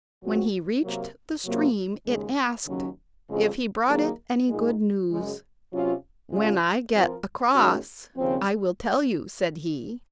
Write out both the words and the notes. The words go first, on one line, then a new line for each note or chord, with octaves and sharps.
When he reached the stream it asked if he brought it any good news. 'When I get across I will tell you,' said he.
A#2 F#3 C4 F#4
C3 F#3 A#3
C3 F#3 A#3 F4
D#2 C#3 G#3
D#2 C#3 F#3 C#4
F2 C#3 G#3
D#3 F#3 A#3 D#4 G#4
A#2 G#3 D#4 G#4
F#2 C#3 G#3
C3 F#3 C#4 F4
C#3 G#3 C#4 F4
F3 C4 F4 A#4
D#2 D#3 G#3 C#4 F#4
D#2 C#3 F3 C4